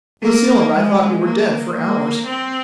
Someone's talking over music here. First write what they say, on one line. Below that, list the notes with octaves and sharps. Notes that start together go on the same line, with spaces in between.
Lucille and I thought you were dead for hours.
A#3
G#3
A#3
A#3
C4